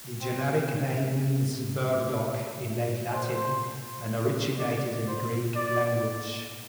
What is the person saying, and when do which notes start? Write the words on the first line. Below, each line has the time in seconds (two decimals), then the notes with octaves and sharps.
The generic name means "burdock" in late Latin and originated in the Greek language.
0.21 C4
3.12 C5
4.58 D5
5.07 C5
5.55 D5